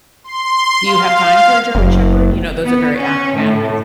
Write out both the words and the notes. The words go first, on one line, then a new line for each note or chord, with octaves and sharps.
You have time for a German shepherd? You know, those are very active animals.
C6
F5
F#1
B3
C#4
A2